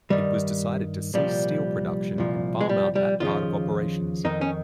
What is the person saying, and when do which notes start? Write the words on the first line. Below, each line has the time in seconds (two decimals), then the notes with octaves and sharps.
It was decided to cease steel production and farm out that part of operations.
0.10 G2 D#3 G3
1.14 C2 A#2 F3 G3
2.18 C2 A#2 F3
2.61 G#3
2.69 G3
2.95 G3
3.20 D#2 C#3 F3 F4
4.24 F2 D#3 D#4
4.41 C#4